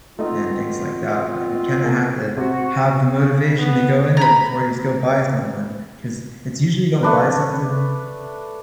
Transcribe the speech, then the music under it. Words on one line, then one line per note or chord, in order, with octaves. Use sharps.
and things like that, but you kinda have to have the motivation to go into it before you just go buy something, 'cause it's usually you don't buy something
B2 A3 C4 D#4 F4 D#5
D#5
A#3 G#4
C3 F#4
C#3
B3
A#5 B5
A3 D4 B4